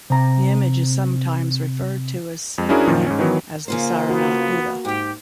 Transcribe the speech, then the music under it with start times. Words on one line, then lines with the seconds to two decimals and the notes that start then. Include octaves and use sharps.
The image is sometimes referred to as simply as the Saranath Buddha.
0.10 C3 A#5
2.58 F2
2.69 C#4 D4 E4 F#4 G#4 A#4
2.87 F#2 A#2 D#3 F3
3.07 G#2 C#4
3.19 D#3 E3 F#3 B3
3.68 C#3 A#3 F4 C5
4.09 B3 F#4
4.85 G#2 G4 G5